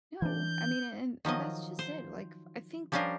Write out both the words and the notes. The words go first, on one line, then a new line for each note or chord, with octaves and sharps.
No. I mean, and and that's just it. Like, f I think
E3 D4 G6
D#3 F3 F#3 D#5
C5
F3 G3 C#4 D4 F4 A#4